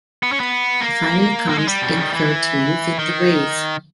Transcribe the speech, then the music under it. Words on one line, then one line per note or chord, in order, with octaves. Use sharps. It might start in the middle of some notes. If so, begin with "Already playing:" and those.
He finally comes in thirteenth in the race.
B3
C#4
B3
A#3
A#3
G#3
G3
B2
C#3
D#3
E3
D#3